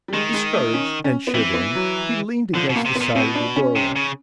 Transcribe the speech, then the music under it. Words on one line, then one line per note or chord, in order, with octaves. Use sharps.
Discouraged and shivering, he leaned against the side of the doorway.
G3
D#3 G#3
G#3
A3
C#4
C#4
B3
E3 C4
B3
F#3
D3 F3
B2
A#3
C3
B3
A#2
B2 C4
D4
C#4
C3
C#3